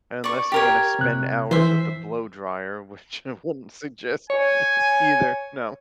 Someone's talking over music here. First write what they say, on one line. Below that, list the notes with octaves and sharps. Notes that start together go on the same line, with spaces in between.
Unless you're gonna spend hours with the blow dryer, which I wouldn't suggest ei either no.
D5 C#6
G4 A#4 C#5
C3 F#6
E3 C5 E5
C#5 G#5